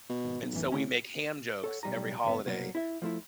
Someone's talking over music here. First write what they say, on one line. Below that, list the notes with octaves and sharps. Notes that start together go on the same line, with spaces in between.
and so, we make ham jokes every holiday,
B2
G#1
B1
A1 F#2 E3
A2 D3 C#4
A4 C#5 F#5
B1 B2 G3 D#5 A#5
C#2 G2 B3
C2 B2 F#3 A#3
E4 E5
F3 A3 E4